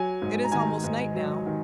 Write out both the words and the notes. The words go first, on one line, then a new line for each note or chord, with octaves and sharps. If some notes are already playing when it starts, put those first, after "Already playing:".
It is almost night now.
Already playing: F#3 G#5
G#2
A#5
D#3 G#5
A#5
G#2
F#3
D#3